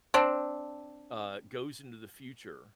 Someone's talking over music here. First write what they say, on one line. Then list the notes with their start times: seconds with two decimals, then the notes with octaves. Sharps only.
uh, goes into the future
0.14 C4 D4